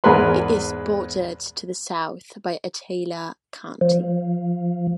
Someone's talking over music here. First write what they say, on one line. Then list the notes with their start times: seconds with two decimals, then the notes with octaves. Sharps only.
It is bordered to the south by Attala County.
0.04 E2 G#2 G#4 A#4 B4 C6
3.81 F3